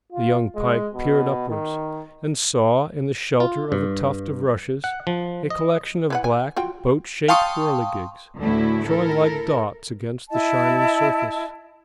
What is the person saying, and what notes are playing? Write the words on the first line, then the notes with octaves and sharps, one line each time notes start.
The young pike peered upwards, and saw in the shelter of a tuft of rushes a collection of black, boat-shaped whirligigs, showing like dots against the shining surface.
F4
G#3
B2
D#3
F4
G2
F#5
F3
D#5
E3 B4 F#5
G#5
F4 F#4 G5
F5 G5 A5 C6 C#6 D#6
D2 A2 D3 A3 E4 F#4
E4 A4 A#4
E4 D#5 A5